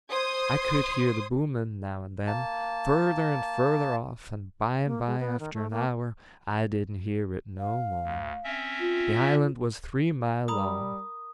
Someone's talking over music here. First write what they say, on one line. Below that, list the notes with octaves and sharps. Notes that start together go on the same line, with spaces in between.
I could hear the booming now and then, further and further off, and by and by, after an hour, I didn't hear it no more. The island was three mile long.
C5 C6 D#6 G#6
A#3 A5
A#3
G#3
B3
D#3
A3
A#3
F5
D2
C4 C#4 E5
F4
G3 A#4 A#5 B5 D#6